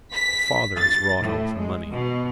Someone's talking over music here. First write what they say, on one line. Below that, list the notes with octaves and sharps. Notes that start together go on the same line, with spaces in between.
The father is rotto with money.
B6
A6
A2
G#3
B2